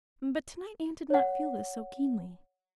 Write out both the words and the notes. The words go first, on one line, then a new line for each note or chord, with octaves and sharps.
But tonight Anne did not feel this so keenly.
C#5 F#5